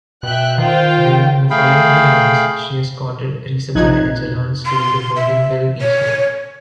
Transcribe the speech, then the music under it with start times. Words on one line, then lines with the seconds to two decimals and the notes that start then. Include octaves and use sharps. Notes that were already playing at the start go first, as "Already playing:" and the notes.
During the following two months, she escorted resupply echelons to the Bougainville beachhead.
0.23 B2 E5 G5 F#6
0.58 D#3 F4 C5 G5
1.50 A3 G#4 F5 G5 B5
3.75 A#1 F2 D#4 F#6 G#6
4.65 C6
5.16 E5
5.81 C#5